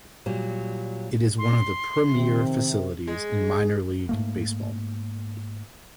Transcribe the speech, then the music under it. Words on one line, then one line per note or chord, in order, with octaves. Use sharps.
It is one of the premier facilities in minor league baseball.
A#2 F#3 G3
C6
C3 D#3 C4
G#3
G#2 A3 A#3